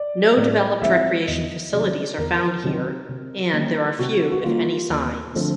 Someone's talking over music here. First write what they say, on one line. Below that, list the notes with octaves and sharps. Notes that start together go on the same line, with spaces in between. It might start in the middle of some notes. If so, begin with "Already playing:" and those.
No developed recreation facilities are found here, and there are few, if any, signs.
Already playing: D5
A2 D5
F3 G#3 C4 E4 E5
E2 D#5
C3 D#3 F#3 D5
E2 A#4
C3 D#3 F#3
C3
D#3 G3 A#3 C#4
C3 F#4
F#4
D#3 G3 A#3 C#4 F4
D#2
D3 F3 A3 C4